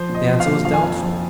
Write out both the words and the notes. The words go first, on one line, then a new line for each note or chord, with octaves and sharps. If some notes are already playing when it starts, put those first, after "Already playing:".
The answer was doubtful.
Already playing: F3 C5
A#2
D#5
F3
F5
A#2
F3 F5
G#5
F2 F5
F3